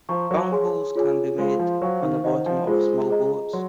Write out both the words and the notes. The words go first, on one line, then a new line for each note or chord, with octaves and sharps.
Bungholes can be made on the bottom of small boats.
F3 C5 F5 A#5 C#6
F#3
G#4 C#5 G#5 C6
F4 G#4 C#5 G#5
G#3 F4 C5 F5 C6
F3
F#3 C5 F5 G#5 C#6
D#3
D#3 C5 D#5 F#5
F3
G#3 F4 G#4 C5
G#4 D#5 A#5
F#3 C6